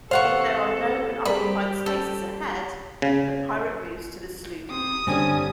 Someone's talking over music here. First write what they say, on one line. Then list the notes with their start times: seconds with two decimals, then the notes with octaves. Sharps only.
If there are no unoccupied spaces ahead, the pirate moves to the sloop.
0.11 C3 E3 A4 A#4 C5 F5 F#5 C#6
1.25 G3 C4 G4 G#4 A#4 D5 B5
1.86 G3 C#4 A4
3.02 C#3
4.70 C3 D#6
5.07 G2 D3 G3 C4 C#4 G#5